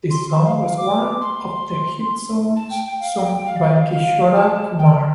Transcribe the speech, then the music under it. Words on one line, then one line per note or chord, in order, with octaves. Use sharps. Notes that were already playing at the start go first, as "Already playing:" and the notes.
This song was one of the hit songs sung by Kishore Kumar.
C6
A5
F5
F5
D6
C6
A5
G5
G5
F5
G5
F5
D5
D5
F5
F5
A5
G5